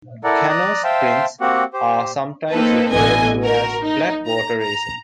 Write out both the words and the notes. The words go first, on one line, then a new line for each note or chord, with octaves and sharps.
Canoe sprints are sometimes referred to as flat water racing.
E4 A4 A#4 D5 F#5
D5 A#5 D#6 F#6
C5 E5 F5 G5 A5 C6
A#3 C4 F#4 G4 F#5
G4 C5
A#3 C4 D#4 A4 B4
A1 B2 D3 E3 D#5 G#5
F#4 A#4
D#4
A#5
A#5